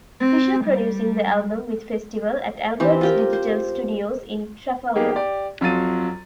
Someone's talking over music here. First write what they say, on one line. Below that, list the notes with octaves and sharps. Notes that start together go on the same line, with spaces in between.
Fisher producing the album with Festival, at Alberts Digital Studios in Trafalgar.
C4
G3
E3 C4 G4
F4 G4 A#4
C5
A#3 B3 D#4 G4 G#4
G4 D5
F2 F#3 F4 A6 D#7